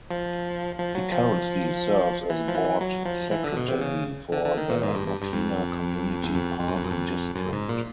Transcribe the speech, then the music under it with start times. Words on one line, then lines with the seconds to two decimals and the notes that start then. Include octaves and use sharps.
He currently serves as board secretary for the Mokena Community Park District.
0.11 F3
0.79 F3
0.95 F#3
1.12 F3
2.30 E3
2.48 F3
2.55 E3
2.81 F#3
3.06 F3
3.31 E3
3.44 D3
3.57 B2
3.68 C3
3.81 C#3
4.32 D3
4.45 D3
4.58 D#3
4.70 A#2
4.83 G#2
4.95 G2
5.08 G2
5.21 G2
5.33 F2
6.23 E2
6.34 F2
6.60 F2
6.68 F#2
6.75 F2
6.83 F#2
6.91 F2
7.35 F#2
7.52 G#2
7.69 A#2